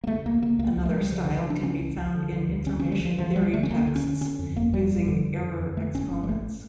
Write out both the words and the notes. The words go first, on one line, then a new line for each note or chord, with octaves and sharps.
Another style can be found in information theory texts using error exponents.
A#3
C#3 A3
C#2 A#3
C#3 A#3
C#2 A#3
C#2
A3
C#3 G3
C#3 F3
D3
C#2
E3
C#3 D4
C#3 C#4
C#2
C#2
D3
D3
D2
D3 C#4
C#4
D3
G3
D2 F3
D2 F3
D2 G3
D3 A3
C#4
D2 A#3
D3
C#4
D3
D3 C#4
F2
G1 A#3
F2 G3
G1
D3
F2
D3
F2
D3 A3
G1 C#4
G1 C#4
G3
A1 A3